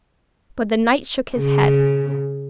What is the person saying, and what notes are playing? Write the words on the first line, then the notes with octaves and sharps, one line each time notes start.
But the knight shook his head.
C#3